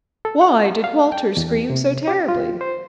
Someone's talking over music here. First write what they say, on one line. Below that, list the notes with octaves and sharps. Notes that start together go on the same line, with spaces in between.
'Why did Walter scream so terribly?'
A4
F#5
F5
G5
E2
C3
G4
F4
C5